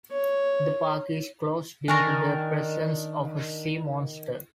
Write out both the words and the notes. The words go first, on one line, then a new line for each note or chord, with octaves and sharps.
The park is closed due to the presence of a sea monster.
C#5
D#3 D4 A#4 G#5 A#5 C#6 A#6